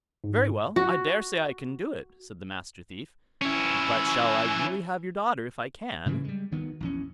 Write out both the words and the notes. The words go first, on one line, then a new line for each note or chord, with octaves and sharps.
'Very well, I daresay I can do it', said the Master Thief; 'but shall I really have your daughter if I can?'
G#2
F#4
C#4 E4
A2 C#3 E3 G3
G3 G#3
D2 D#3 B3
A#1 E2 C#4